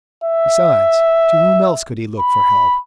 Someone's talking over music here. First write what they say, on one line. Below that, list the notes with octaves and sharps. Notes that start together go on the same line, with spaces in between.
Besides, to whom else could he look for help?
E5
B5